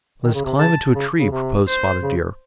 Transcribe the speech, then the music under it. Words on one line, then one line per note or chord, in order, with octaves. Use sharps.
"Let us climb into a tree," proposed Spotted Deer.
D#3
C#3
C3
C#3 A5
C#3
C#3
C3
C5
C#3